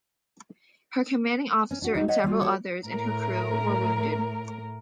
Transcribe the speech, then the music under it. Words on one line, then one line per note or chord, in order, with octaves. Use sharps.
Her commanding officer and several others in her crew were wounded.
C#4
D4 F#4
G3 D#4 F#4
C#5 D#5 F#5
G3 A#3 F4 F#4
F#4 G4 A4 C#5 D5
A2 A#4